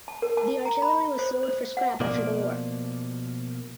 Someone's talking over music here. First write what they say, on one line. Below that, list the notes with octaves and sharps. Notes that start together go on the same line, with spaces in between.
The artillery was sold for scrap after the war.
A5
A#4
A5
A#5
B5
C5
C5
F#5
B2 F3 A#3 D5